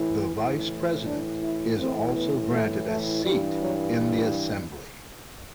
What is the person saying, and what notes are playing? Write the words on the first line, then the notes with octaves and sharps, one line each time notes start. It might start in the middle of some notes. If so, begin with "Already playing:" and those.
The Vice President is also granted a seat in the assembly.
Already playing: A2 E3
A2 E3
D4
E4
A2 E3 C4
B3
A3
A3
G2 E3 G3
F#3